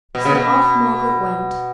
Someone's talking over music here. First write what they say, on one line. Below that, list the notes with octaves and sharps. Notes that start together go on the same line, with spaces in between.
So off Margaret went.
B2
C#3
B2